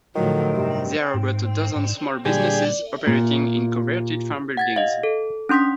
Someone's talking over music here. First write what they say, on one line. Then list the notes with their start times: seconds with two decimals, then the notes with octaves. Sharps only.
There are about a dozen small businesses operating in converted farm buildings.
0.16 A2 D3 D#3 F3 F#3
0.55 G2 C3
1.14 G#2
1.75 G#2
2.25 A#2 D3 G3 G4 G#4 D5
3.07 A#2
4.57 F#5 G#6 A6
4.76 D#5 F5
5.03 A4
5.49 C#4 D4 C6 D#6 B6